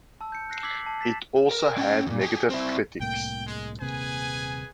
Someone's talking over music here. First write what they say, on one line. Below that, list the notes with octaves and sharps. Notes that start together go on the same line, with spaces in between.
It also had negative critics.
A5 E6
G6 C#7
F#6 A#6 C7
D6 E6 G#6 B6 C7 F#7
A5
A6 B6 E7
A#4
C#4 G5
E2 A#2
G4 G#4
C4 E4
C2 A2 A#3 G5
G#3
D#1 C3 A#3 G#4 B4 G#5